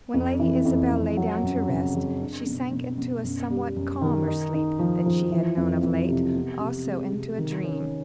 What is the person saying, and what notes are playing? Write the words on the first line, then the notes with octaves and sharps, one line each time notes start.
When Lady Isabel lay down to rest, she sank into a somewhat calmer sleep than she had known of late; also into a dream.
F2
E3
F2
F2
F#3
F#2
C#3
F#3
D4
B2
B2
B2
F#2
G3
F#2
D#3
D#4
D#4
F3
F3
E3
F2
F2
C3
B3
C3
G#3
C3
D#3
C#4